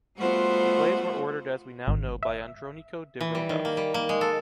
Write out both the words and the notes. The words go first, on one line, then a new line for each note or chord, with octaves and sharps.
The plays were ordered as we now know by Andrónico de Rodas.
G3 A3 B3 F4 F#4 C5
G#1
E5
E3
G3
D#3
A#3
G3
A#3
G#3
A4